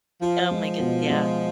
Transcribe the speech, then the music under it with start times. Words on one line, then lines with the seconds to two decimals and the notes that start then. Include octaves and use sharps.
Oh my goodne yeah.
0.22 F3 F4
0.51 G#3
0.79 B2
1.10 G#3